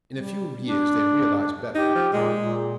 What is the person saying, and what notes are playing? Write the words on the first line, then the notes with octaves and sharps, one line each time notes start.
In a few, years they realised better.
G3
D4
D#4 G4
F3
A#2 G#3
A#2